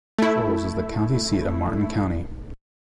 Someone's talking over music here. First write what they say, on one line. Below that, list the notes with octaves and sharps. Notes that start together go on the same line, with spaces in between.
Shoals is the county seat of Martin County.
A3 E4